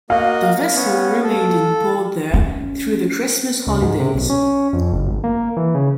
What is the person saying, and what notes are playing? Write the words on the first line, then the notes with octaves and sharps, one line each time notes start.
The vessel remained in port there through the Christmas holidays.
A#3 F#4 D#5 F5
B3 C#4
A4
C#4
C#2
G#2
C3
B1
C#4
F2
F#1
G#1
A#3
E3
C#3